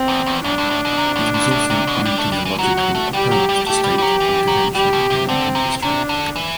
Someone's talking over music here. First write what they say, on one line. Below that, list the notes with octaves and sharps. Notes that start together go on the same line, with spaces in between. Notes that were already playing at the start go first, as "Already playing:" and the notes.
It was also ideologically opposed to state intervention in industry.
Already playing: C4
E2
E2
F#2 D4
G2
A2
B2
C3
A2
G2
A2
C3
B2
G3
A3
G3
E3
F#3 F#4
F#3
A3
G3 G4
F#3
G3
A3 G4
G3
G3
F#3
E3
F#3
G3 G4
B2
C3
D3 C4
C3
C3 D4
D3
E3